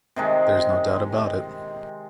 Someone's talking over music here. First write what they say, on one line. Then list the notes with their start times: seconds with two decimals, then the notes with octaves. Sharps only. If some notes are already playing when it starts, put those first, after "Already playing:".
There's no doubt about it.
0.16 C3 D#3 G#3